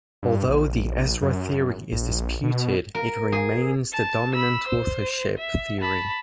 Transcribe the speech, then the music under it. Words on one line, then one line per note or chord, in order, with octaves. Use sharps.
Although the Ezra theory is disputed, it remains the dominant authorship theory.
G2
A#1
F#2
A#1
B2
A#4
G#4
A5
B5 E6
C5
E5
A5 B5